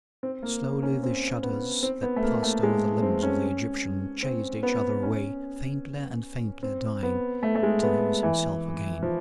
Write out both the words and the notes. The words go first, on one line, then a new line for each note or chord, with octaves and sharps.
Slowly the shudders that passed over the limbs of the Egyptian chased each other away, faintlier and faintlier dying till he was himself again.
C4
A#3
C#4
C4
B3
C4
B3
A3
A#3
A3
G#3
C4
C#4
C4
B3
C#4
C4
B3
A3
A3
G#3
B3
E3
F3